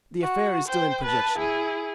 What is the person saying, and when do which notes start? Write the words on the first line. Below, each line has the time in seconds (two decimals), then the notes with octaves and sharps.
"The affair is still in projection."
0.22 F#4
0.68 C5 G5
1.03 B4 A5
1.38 E4 G#4